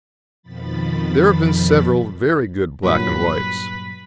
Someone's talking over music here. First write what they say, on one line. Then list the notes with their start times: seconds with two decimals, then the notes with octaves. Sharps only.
There have been several very good black and whites.
0.42 F2 B2 D#3 F3 B5 A6
2.83 G2 A#2 F#3 B4 B6